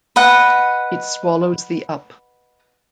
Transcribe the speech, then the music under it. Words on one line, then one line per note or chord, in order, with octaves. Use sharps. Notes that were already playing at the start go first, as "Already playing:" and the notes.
It swallows thee up.
B4 D#5 F#5